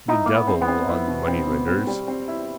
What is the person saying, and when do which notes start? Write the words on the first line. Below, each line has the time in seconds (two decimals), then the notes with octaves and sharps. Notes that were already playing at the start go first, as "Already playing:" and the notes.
The devil on moneylenders.
0.08 D#4 E4
0.26 A#3 E4
0.35 B3
0.47 C4
0.61 B3
0.68 C4
0.88 E4
1.08 B2
1.28 C4
1.47 B2
1.68 C4
1.87 G3
2.08 C4
2.28 E4